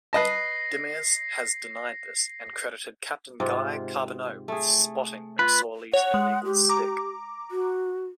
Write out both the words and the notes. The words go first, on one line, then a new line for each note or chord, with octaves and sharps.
Demers has denied this and credited captain Guy Carbonneau with spotting McSorley's illegal stick.
B4 D#5 A5 A#6 C7
G#2 C3 F4
A3 G#4
F4 B4
C#5 F#5
G#3
G4
A#5 D6
F#4